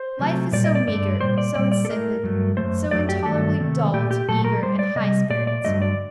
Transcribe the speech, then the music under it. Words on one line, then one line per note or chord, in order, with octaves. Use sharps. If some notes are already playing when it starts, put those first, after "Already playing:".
Life is so meagre, so insipid, so intolerably dull to eager and high-spirited souls!
Already playing: C5
C3 F#3 A3
A#2 G3 D5
D#5
D5
G2 D3 A3 D5
A#2 G3 C5
D5
A#2 G3 D5
D5
A4
A2 A3 A#4
G2 F#3 A3
F#2 D#3 A3 C5
F#2 F#3 A3 D5
G4
G2 D#3 F#3 A3 A4
C3 D#3 A3
A#2 A3 G4
G4
A#2 F#3 A3 A4
A#4
A2 G3 C5
D5
C3 G3 D#5
A#2 A3 D5
D5
G2 D3 F#3 A3 D#5
D5